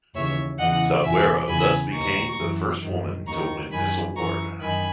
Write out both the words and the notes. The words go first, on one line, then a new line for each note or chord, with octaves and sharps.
Salguero thus became the first woman to win this award.
D#2 C#3 E3 C#5 E5
E2 C#3 E3 D#5 F#5
E2 B2 E5 G#5
E2 C#3 E3 G#5 B5
D#2 D#3 A#5 C#6
F#2 E3
F#2 D#3
D#2 D#3 A#5 C#6
F#2 D#3 G#5 B5
F#2 E3 A#5 C#6
F#2 D#3 G#5 B5